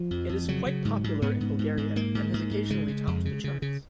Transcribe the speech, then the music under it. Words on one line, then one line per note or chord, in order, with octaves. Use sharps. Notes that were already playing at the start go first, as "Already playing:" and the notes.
It is quite popular in Bulgaria, and has occasionally topped the charts.
Already playing: F3
F2
F2
C#3 F#3
C#3
G#2
G#2
G#2 B3
G#2
G#2
G#2
G#2 A#3
G#2
G#2
G#2
C#3 G#3
C#3
F2
C#3
C#3
C#3